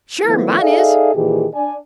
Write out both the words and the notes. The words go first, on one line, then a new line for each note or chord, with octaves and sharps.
"Sure; mine is."
D#3 F3 A3 B3 E4
D#4 G#4 A4 D5 E5 F5
A#2 D#3 E3 G4 G#4
D4 D5 G#5